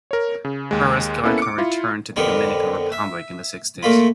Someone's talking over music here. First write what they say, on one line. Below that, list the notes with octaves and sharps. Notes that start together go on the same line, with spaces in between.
Beras Goico returned to the Dominican Republic in the sixties.
A#4 C#5
C#3
D#2 G#3
A#3 B3 C#4 E4 A4 B4
D6 C#7
E4 F4
F2 D3 B3 G4 A#4
E5
A#2 A3 A#3 F4 B5